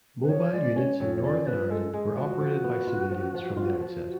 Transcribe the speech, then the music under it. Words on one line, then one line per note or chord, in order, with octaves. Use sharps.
Mobile units in Northern Ireland were operated by civilians from the outset.
B4
F3 C#5
G#3 D5
C#4 C#5
F2 C#5
C#5
C#4 D5
F3 B4
G#3 A4
G#3 G#4
F3 F#4
F3
B3
F4
F3
F3
F4
F3
F#4